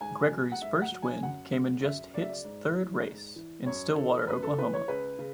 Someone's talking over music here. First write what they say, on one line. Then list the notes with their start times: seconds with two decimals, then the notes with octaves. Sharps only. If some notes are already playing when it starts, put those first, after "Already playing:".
Gregory's first win came in just his third race, in Stillwater, Oklahoma.
0.01 G#2 G#5
0.31 F#3
0.52 F#5
0.61 G#2 E5
0.82 F#5
0.92 F#3
1.02 G#5
1.22 F#2 F#5
1.53 C#3 F#3
1.83 F#2 E5
2.14 C#3 D5
2.18 F#3 E5
2.30 D5
2.45 G#2
2.75 E3
3.06 G#2
3.36 E3
3.66 F#2 C#5
3.96 E3 A4
4.28 F#2 B4
4.43 A4
4.58 E3 B4
4.73 C#5
4.88 C#2 B4
5.19 C#3